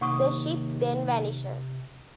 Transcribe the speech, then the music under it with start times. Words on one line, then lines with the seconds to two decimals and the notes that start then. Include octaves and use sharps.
The ship then vanishes.
0.01 D#2 C3 F#5 C#6 D#6